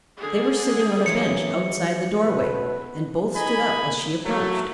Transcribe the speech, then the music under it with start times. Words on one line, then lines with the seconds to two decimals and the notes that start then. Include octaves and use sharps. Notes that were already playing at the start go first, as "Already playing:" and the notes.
They were sitting on a bench outside the doorway and both stood up as she approached.
0.18 D3 G#4
1.06 E3 F#3 G#3 C#7
2.25 B2 B4
3.36 D#4 G#4 G#5 B5
4.25 F#3 A3